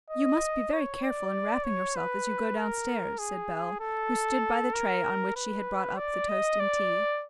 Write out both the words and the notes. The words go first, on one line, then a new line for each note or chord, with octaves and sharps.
"You must be very careful in wrapping yourself as you go downstairs," said Bell, who stood by the tray on which she had brought up the toast and tea.
D#5
C#5
D5
C#5
B4
A#4
G#4
A4
A#4
B4
D5
D#5
D5